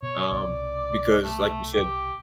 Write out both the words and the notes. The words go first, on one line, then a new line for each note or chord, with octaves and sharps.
um, because like you said
B2 C#5
C2 B2 D5
A3
G4